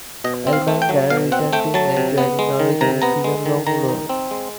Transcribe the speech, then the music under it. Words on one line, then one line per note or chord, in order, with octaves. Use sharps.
Elmander returned to England, joining Norwich on a season-long loan.
B2 D#5
C4
F5
A3
G5
F#3
B2 F5
C4 F#5
A3 G5
F#3 A5
C3
B3
G#3
D#3
C3 A#5
B3 A#5
G#3
D#3
D#3 A#5
D#4
C4
G#3